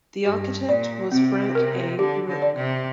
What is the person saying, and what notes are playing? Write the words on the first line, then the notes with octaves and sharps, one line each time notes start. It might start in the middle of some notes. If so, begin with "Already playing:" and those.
The architect was Frank A. Rooke.
G2 G4
A#2 D5
C3 C4
A#4
D3 G4
D3
D5
C3